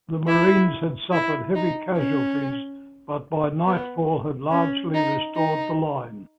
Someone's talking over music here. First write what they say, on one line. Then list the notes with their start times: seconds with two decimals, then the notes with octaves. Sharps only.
The Marines had suffered heavy casualties but by nightfall had largely restored the line.
0.28 E4
1.13 E4
1.55 D#4
1.97 C#4
3.66 B3
4.51 C#4
4.94 D#4
5.36 D#4